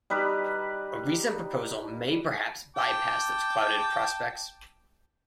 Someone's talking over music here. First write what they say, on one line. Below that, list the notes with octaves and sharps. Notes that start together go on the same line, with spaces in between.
A recent proposal may perhaps by-pass those clouded prospects.
G3 D#4 B4
G5 A5 D6